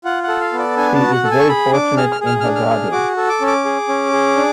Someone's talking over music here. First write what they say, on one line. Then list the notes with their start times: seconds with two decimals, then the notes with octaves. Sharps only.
She is very fortunate in her guardian.
0.04 F4 F#5
0.23 A4 F#5
0.40 F5
0.53 B3
0.59 D5
0.77 D4 G#5
0.95 A5
1.01 F#4
1.13 F#5
1.24 A4
1.31 G#5
1.40 C#6
1.49 G#4 B5
1.73 D4 D6
1.97 G#4 F6
2.12 F6
2.21 G#4
2.26 F6
2.41 F6
2.44 D4
2.56 F6
2.69 G#4
2.92 F#4 D6
3.17 A4
3.29 D6
3.41 C#4
3.47 D6
3.65 G#4
3.89 C#4
4.12 G#4
4.36 D4